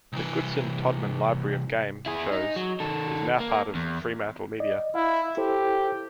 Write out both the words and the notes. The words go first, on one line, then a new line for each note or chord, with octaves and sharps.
The Goodson-Todman library of game shows is now part of FremantleMedia.
C2 E3
E4 G#4
D#4
F#3
D#3 A4
A#3
E2
D5 D#5
E4 F5
E4 G4 A4 C5